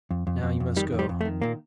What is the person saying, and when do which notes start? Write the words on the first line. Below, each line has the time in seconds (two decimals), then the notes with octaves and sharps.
Now you must go.
0.11 F2
0.27 F2
0.43 F2
0.60 F2
0.76 D#3 G3
0.92 F2
0.99 G3
1.09 F2
1.21 A3
1.25 D#3
1.42 A#2 A#3